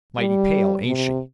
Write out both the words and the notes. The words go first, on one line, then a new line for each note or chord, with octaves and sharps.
"Mighty pale, ain't she?"
G3
C3